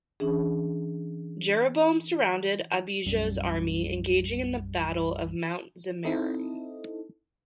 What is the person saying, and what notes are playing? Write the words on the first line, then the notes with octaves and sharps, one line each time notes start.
Jeroboam surrounded Abijah's army, engaging in the battle of Mount Zemaraim.
E3 C#4 D4 G#4
B1 F#2 G3
C4 D#4 E4 A4 D#5